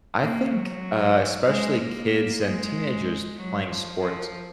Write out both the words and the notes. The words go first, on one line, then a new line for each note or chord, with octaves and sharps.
I think, uh, especially kids and teenagers playing sports,
A#3
F#3
G#3
A#3
G#3
F#3
F3
F3